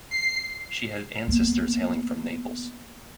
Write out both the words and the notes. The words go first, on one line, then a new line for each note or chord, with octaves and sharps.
She had ancestors hailing from Naples.
C7
A#3 B3